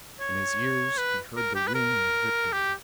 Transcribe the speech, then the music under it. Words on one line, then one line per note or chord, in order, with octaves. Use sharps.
In his ears, he heard the ring of victory.
C#5
B4
A#4
G4
B4
A#4
G4